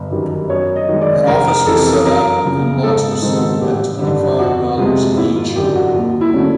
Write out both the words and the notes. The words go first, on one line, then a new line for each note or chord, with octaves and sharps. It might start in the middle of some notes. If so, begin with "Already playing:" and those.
An office was set up and lots were sold at twenty-five dollars each.
Already playing: G1
F#2 D#3 G3
F#2 C#5
D#5
D#3 G#3
D5
F1 A#4
A#4
F2 C3 E3 A4
A4
F#2 A#4
C#3 F3
G#2 A4
D#3 G#3 C4 D#4
A1 G4
G2 D3 G3
F2 F#4
C3 F3 G#3 F4
G#1 E4
F4
F#2 D3 G4
F#4
D#2 F4
E4
D3 F#3 A3 C#4